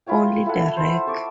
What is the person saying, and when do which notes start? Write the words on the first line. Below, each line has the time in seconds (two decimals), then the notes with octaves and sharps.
Only the Rec.
0.06 E4 F4 C#5 G5
0.23 A#4
0.46 E4 A4 F#5
0.77 E4 C5
1.06 A4 A5 C#6 D6